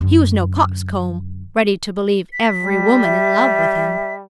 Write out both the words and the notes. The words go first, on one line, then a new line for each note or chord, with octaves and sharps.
He was no coxcomb, ready to believe every woman in love with him.
F#2 D3
B6
G3 G#3
E5